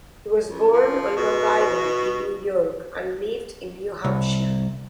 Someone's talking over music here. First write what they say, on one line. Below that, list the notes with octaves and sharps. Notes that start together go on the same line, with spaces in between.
He was born on Long Island in New York and lived in New Hampshire.
C#2
F3
B2
C2